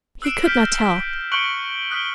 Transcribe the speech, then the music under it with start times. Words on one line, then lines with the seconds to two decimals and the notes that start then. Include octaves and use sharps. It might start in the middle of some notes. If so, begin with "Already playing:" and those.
He could not tell.
0.22 E6 F#6 C7 D7 E7
0.44 F6 G6 B6 D7
0.61 A#6
1.32 C#6 F#6 C#7 D7 F#7 G7
1.90 D#6 F6 F#6 B6 D7 G7